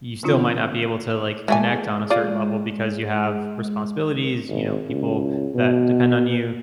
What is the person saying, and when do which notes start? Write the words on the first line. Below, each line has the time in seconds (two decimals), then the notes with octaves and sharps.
you still might not be able to, like, connect on a certain level because you have responsibilities, you know, people that depend on you,
0.23 D3 E3 C4 D4 F4
1.48 E3 G#3 A3 G#5
2.10 F4 C5 D5
4.49 G#1
4.90 C#2
5.55 B2